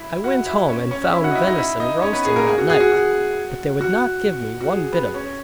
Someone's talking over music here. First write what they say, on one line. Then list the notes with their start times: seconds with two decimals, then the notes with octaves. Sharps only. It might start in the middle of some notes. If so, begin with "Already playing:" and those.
I went home and found venison roasting that night, but they would not give me one bit of it.
Already playing: E4 E5
0.24 F#4 F#5
0.46 E4 E5
0.69 C#4 C#5
0.91 C#4 C#5
1.13 E4 E5
1.24 F#4 F#5
1.31 D#5
1.35 E4 E5
1.47 D#4 D#5
1.58 E4 E5
1.80 D#4 D#5
2.02 C#4 C#5
2.13 B3 B4
2.25 G#4
2.36 A#3 A#4
2.47 G#4
2.58 F#4
2.70 G#4
2.80 F#4
2.92 F#4
3.81 F#4
4.61 F#4
4.70 G#4
4.92 B3 B4
5.14 C#4 C#5